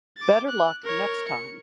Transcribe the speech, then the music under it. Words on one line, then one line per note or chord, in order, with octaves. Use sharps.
Better luck next time.
D6 A6
F#6
A#4 C#5
C#7